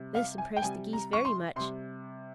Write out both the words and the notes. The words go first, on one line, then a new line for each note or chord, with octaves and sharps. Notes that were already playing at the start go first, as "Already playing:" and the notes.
This impressed the Geese very much.
Already playing: C3 G3
F5
G#5
G5
C3 G3 G#5
A#5
C#6
C6
C3 G3 C6